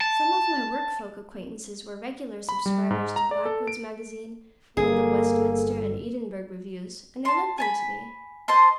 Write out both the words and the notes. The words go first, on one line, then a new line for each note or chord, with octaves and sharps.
Some of my work-folk acquaintances were regular subscribers to "Blackwood's Magazine" and the "Westminster" and "Edinburgh" reviews, and they lent them to me.
A5
B5
G3
G#2
A#5
D5
A4
D7
G1 A#3 G#4 A4
A5 C6
G#5 A5 B5
C5 D#5 A5 C6